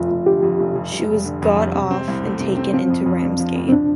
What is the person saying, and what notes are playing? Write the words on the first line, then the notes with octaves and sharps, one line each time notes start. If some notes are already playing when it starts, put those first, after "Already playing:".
She was got off and taken into Ramsgate.
Already playing: F1 F2 F4
F1
D3 G4
F2
F1
F2
G3
F1
D3
F2
G3
C3
C4
C2
A3
C3
C4
F3 C4
F2
F2
D4
F3
F2
C4
F3 D4